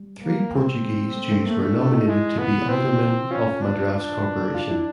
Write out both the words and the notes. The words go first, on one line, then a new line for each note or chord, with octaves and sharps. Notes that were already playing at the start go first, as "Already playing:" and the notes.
Three Portuguese Jews were nominated to be aldermen of Madras Corporation.
Already playing: G3
A#3
C4
G#3
G3
A3
A3
A3 A#3
D4
D4
D#4
G#3 E4
B3
C4
C#4 F4
D4
D4
F4
E4